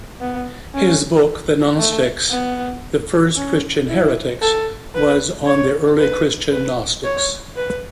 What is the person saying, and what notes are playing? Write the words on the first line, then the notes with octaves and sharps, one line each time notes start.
His book "The Gnostics: The First Christian Heretics", was on the early Christian Gnostics.
B3
C#4
A3
B3
C#4
E4
A4
B4
C#5
B4
B4
C#5
B4